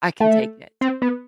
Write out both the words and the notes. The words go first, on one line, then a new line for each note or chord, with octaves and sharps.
I can take it.
A3
C4
B3